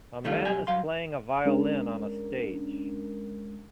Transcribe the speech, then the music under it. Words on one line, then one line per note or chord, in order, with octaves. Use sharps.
A man is playing a violin on a stage.
F#2 D#3 G3 A3 F4
B1 F#2 G4 G#5
G2 F#3 F5 C6
G#3 C#4 D4 A#4